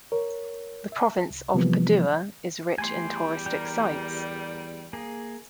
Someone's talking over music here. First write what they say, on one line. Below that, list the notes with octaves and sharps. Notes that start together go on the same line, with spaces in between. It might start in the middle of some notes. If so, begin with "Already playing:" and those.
The province of Padua is rich in touristic sites.
A#4 C#5
E5
C2
C3 E3 F3 G3 A#3 B3
E2 G3 A3 G#5 C6
G4 A#4 D5
A#3 G#4